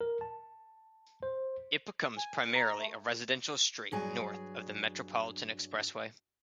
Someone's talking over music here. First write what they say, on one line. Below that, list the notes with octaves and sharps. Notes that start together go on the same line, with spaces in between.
It becomes primarily a residential street north of the Metropolitan Expressway.
A#4
A5
C5
G#5
A#2
A#5
A3
G2 F#3 G#4